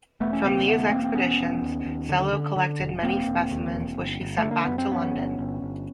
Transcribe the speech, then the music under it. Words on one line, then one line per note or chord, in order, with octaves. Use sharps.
From these expeditions Sellow collected many specimens which he sent back to London.
E1 A3 B3
C#4
C#3 A#3 C4
D#2 A3 B3
E1 A#3 C4
C4
E1 B3 C#4
E1
D#2
D#2
D3
D3
D3
E1
E1 A#3 C4
E1
D#2
E1
G1
G1
A3
D3
A#3
F#2 B3
C4
F#2 B3 C#4
G1
G1
G1